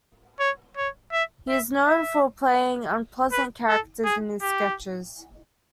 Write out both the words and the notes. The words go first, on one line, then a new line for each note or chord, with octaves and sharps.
He is known for playing unpleasant characters in his sketches.
C#5
C#5
E5
E5
E5
B4
A4
G#4
G4